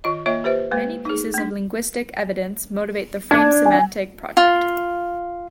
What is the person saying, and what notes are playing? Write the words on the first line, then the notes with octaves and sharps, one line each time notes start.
Many pieces of linguistic evidence motivate the frame-semantic project.
D#3 F4 D#5
A#3 F4 C#5 D#5 E5
G4 B4 C5 E5
G#3 A#3 B4
D#4 G#4
A3 D4
D4 G#6
G#5
F4